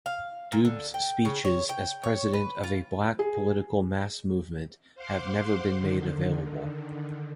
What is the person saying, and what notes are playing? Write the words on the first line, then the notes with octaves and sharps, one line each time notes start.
Dube's speeches as president of a black political mass-movement have never been made available.
F5
A#2
D3
G5
C#3
C#5
G5
C#5
B4
F4
G#4
C5 F5 F#5 C6 D6
D3 D#3